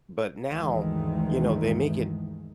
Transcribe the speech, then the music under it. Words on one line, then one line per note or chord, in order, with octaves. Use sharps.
but now, you know, they make it
D2 G2 D#3 E3 G#3 A3